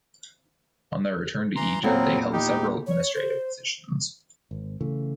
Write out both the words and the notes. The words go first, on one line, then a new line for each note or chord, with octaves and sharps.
On their return to Egypt they held several administrative positions.
E3 A#5 C6
E2 A#2 F#3 C4
D#4 G4
C#5
C5
G#1
C#3 E3 A3